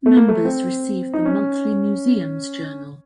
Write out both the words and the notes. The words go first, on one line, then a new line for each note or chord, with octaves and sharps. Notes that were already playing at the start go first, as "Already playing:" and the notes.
Members receive the monthly "Museums Journal".
A3
A#3
A3
C4
D#4
C#4